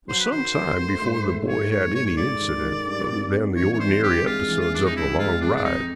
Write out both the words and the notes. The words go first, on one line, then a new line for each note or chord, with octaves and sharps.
It was some time before the boy had any incident other than the ordinary episodes of the long ride.
F#3 C5
B4
D#3 C5
D#3
A3
G#2
A3
D#3 C#5
A3 C#5
F#3 C#5
C#5
G#2 D5
D#3
D#3
G2
C4
C4
E3 C#5
C#5
G2 C5
C4 G4
G#3 F4
E3
F4
G2 D4
D#4
E3 E4
G#3 F4
C4 D4
D4
F2 D#4